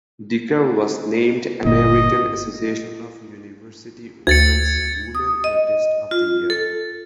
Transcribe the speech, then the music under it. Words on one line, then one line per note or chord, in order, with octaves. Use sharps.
Dicker was named American Association of University Women's "Women Artist of the Year".
G1 A#2 A#3 D#5
D2 G#6 A6 C#7
D#6
D#5
F4
A4